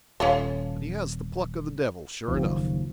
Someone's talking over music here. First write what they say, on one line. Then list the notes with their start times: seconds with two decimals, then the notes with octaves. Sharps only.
But he has the pluck of the devil, sure enough.'
0.20 D#1 C#4 F4 A4
2.28 F#1 D#2 F3